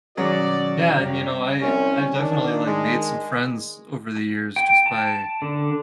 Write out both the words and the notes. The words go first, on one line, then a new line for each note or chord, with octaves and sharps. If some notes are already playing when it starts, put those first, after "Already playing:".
Yeah, and, you know, I I definitely, like, made some friends over the years just by,
B2 D#3 F#3 C#4 G#4 D5
F#2 G3 G4 C#5 F5
C2 C#4
D#3 D4
G#3
G5
A5
D3